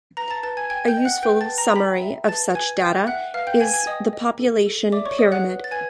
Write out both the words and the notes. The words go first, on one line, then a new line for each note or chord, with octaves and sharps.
A useful summary of such data is the population pyramid.
B4 A#5 A#6
A5 A6
B4 A5 A6
G#5 G#6
G5 G#5 G#6
G5 G6
D#5
F#5 F#6
B4 G5 G6
A5 A6
B4
A#5 A#6
G5 B5 B6
E5
B4 A5 A6
B4 G#5 G#6
G5 G6
E5 F#5 F#6
B4 F5 F6
G5 G6
B4 G#5 G#6
G#5 G#6
D#5 G5 D#6
D#5
A4
A4
D5 E5 D6
C#5 C#6
C#5 D#5 D#6
F#5 F#6
B4
A6
B4 G#5 G#6